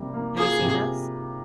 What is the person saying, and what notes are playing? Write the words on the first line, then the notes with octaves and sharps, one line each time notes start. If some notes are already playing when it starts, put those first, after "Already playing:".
Have you seen those?
Already playing: C3 G3 A#3
A#3
F4 G#4
C3